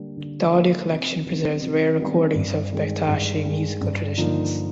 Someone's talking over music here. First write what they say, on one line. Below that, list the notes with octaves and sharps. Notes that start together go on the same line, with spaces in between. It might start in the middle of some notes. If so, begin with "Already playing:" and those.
The audio collection preserves rare recordings of Bektashi musical traditions.
Already playing: D3 G3 A#3 D4
D3
G3 A#3 D4
C3
D#3 G3 B3 D4
C3
D#3 G3 B3 D4
G2
D#3 G#3
G2
D#3 G#3
G2
D3 F3 A#3 D#4